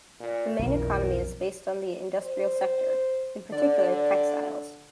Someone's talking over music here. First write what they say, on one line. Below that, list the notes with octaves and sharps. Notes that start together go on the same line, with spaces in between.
The main economy is based on the industrial sector, in particular textiles.
A#2
B1 F2 E3 A#4
C5
D3 D5